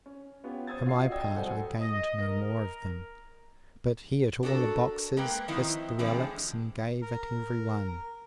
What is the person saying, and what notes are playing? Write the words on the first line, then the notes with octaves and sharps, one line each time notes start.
For my part, I gained no more of them, but he at all the boxes kissed the relics, and gave at everyone.
C#4
B3 C#4 F4 G4
C5 D#6 E6 G#6 A6
F4 F#4 D#5 C7
D5 D#5 G5 D#6 E6 G#6
C2 F#3 A4 C5 F#5 G#5
D#5
A#4
D4 F#4 G4 A4 A#4
G#3 A#3 A#4 B4 G5
D#3 F3 C4 D#4 E4
D3 E3 F3 G#3 C4 D4
A#4